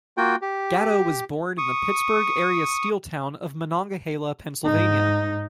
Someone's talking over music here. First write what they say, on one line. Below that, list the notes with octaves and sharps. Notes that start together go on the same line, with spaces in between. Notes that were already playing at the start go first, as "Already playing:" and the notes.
Gatto was born in the Pittsburgh-area steel town of Monongahela, Pennsylvania.
A#3 F4 F#4 G5
G4
C#6 D#6
G#2 D#4